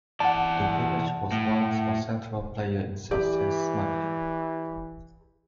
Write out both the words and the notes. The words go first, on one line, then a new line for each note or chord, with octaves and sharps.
The village was once a central player in Sussex smuggling.
E3 D5 F#5 A5
A2
E3 G4 D5